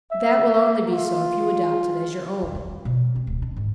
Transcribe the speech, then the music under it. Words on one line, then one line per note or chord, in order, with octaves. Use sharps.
But that will only be so if you adopt it as your own.
E5
F4
E1
E4
C#4
B2
C4
D1
D4
G#2